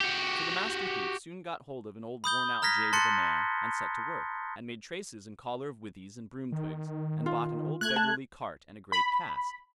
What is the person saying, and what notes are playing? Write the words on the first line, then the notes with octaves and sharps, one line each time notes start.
So the Master Thief soon got hold of an old worn-out jade of a mare, and set to work, and made traces and collar of withies and broom-twigs, and bought an old beggarly cart and a great cask.
F#4 G4
B5 D#6 G6 G7
A#5 F6 G#6 A#6 B6
A5 C6 F#6 A6 C#7
D#3
F4
A3 F#6 G#6
A5
B5